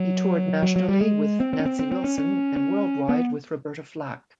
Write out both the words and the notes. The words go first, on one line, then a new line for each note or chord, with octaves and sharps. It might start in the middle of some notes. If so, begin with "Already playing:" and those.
He toured nationally with Nancy Wilson and worldwide with Roberta Flack.
Already playing: F#3
F#3
F#3
G3
G#3
C4
C4
C#4
C4
C4
C4
C#4
C#4
C#4
B3